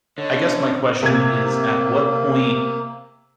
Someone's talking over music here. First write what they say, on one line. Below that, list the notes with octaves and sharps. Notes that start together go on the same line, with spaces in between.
I guess my question is, at what point
D3 C#5 D#5
C3 A#3 G#6